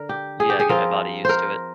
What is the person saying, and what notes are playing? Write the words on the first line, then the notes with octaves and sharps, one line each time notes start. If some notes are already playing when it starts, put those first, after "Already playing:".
Yeah. I get my body used to it.
Already playing: D3 A#4
G4
G#4
G4
G#4
F3 C4 F4 A#4
A#4 C5